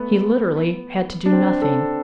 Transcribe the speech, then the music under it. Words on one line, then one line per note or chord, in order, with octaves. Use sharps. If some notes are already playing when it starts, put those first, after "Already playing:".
He literally had to do nothing.
Already playing: A3 B3
D4
C4
A4